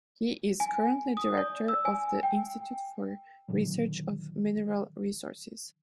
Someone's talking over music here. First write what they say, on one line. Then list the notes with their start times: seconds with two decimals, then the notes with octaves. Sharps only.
He is currently director of the institute for research of mineral resources.
0.60 G#5
1.17 D#6
1.38 D5
1.68 E6
1.85 G#5
2.23 G5
3.48 A#2 D3 D#3 F#3